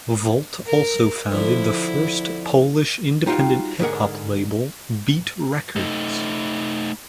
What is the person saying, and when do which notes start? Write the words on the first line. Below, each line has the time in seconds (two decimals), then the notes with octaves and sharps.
Volt also founded the first Polish independent hip hop label, Beat Records.
0.66 A#4
1.31 F2 D3 E4
3.26 G3 D#4 F4 F#4 G5
3.79 G#2 D3 D4 G#4 A#4 F#5
5.76 A3 D#4